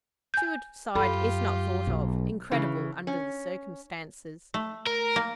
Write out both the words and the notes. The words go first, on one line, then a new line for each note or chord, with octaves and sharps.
Suicide is not thought of--incredible under the circumstances.
G#5 G6
F#2 F4 G4 A4 B5
B1
C#3 E3
C#4
A3
A#4
A#3